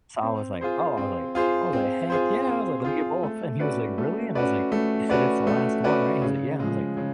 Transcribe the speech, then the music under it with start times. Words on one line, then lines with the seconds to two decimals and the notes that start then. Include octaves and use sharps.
so I was like, "Oh," I was like I was like, "heck, yeah!" I was like, "Lemme get both," and he was like, "Really?" And I was like, "You said it's the last one, right?" He was like, "Yeah," and I was like,
0.22 C4
0.61 F4 G#4 C5
0.97 C4
1.35 F4 G#4 C5
1.73 C4
2.10 F4 G#4 C5
2.47 C4
2.84 F4 G#4 C5
3.23 A3
3.59 C#4 F#4 B4 D5
3.98 A3
4.35 C#4 F#4 B4 D5
4.72 A3
5.10 C#4 F#4 B4 D5
5.47 A3
5.84 C#4 F#4 B4 D5
6.22 C#3
6.60 F3 G#3
6.97 C#3